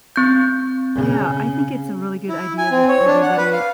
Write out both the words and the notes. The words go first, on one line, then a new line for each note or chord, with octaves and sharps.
Yeah. I think it's a really good idea that everybody
C4 G6
C#3
E4
G#5
C4
C#5
D4
F#5
B4
F5